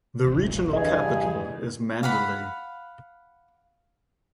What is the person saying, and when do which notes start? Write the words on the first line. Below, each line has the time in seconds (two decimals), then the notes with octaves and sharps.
The regional capital is Mandalay.
0.24 D#1 A1
0.73 E2 G2 G#4 D#5
2.03 F5 F#5 B5